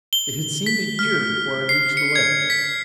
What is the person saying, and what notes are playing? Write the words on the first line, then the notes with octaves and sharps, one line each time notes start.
It seemed a year before I reached the ledge.
G7
B6
F6
C7
C#7
G#6
B6